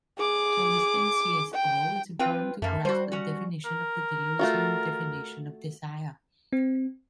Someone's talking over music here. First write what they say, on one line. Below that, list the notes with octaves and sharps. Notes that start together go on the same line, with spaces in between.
To understand CsO it’s important to grasp the definition of the Deleuzian definition of desire.
G#4 D6
G5
C4 F4 B4 G5
F#2 A3 A#3
G3 F#4 C5
C#4 F#4
A#4
A3 F4 F#4
C4